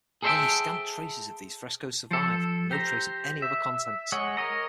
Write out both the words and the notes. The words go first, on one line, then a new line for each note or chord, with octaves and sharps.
Only scant traces of these frescoes survive, and no trace of any other contents.
G#4 A4 C5 D5 E5 G5
F3 A4
G4 C5 A#5
E5
G#3 C#5 D#5 F#5
A#4 C#5 D#5 A#5